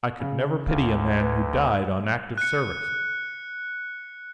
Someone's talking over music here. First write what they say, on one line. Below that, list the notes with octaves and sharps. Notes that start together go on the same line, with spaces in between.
I could never pity a man who died on active service.
C#3
D2 F5
B4
F#6 C#7